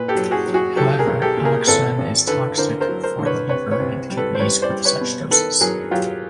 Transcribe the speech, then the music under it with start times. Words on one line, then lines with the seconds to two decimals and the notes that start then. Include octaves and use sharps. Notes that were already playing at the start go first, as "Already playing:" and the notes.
However, alloxan is toxic for the liver and kidneys with such doses.
Already playing: A#2 B4
0.08 G4 A4
0.16 F#3
0.31 F#4 G#4
0.46 F#3
0.54 F#4 G#4
0.76 F#3 G4 A4
0.99 G#4 A#4
1.07 B1
1.22 G4 A4
1.37 A#2
1.45 G#4 A#4
1.67 G#1 A4 B4
1.98 G#1
2.27 D3 A4 B4
2.58 D3 A#4 C5
2.81 A#4 C5
2.89 F#3
3.03 A#4 C5
3.19 D3
3.26 B4 C#5
3.49 C2 B4 C#5
3.71 B4 C#5
3.80 C2
4.10 G3
4.17 A4 B4
4.35 C5
4.39 G3 B4 C#5
4.62 C5 D5
4.70 G3
4.85 B4 C#5
5.01 B2
5.31 D#3 A4 B4
5.61 F#3 G#4 A#4
5.91 F#3 F4 G4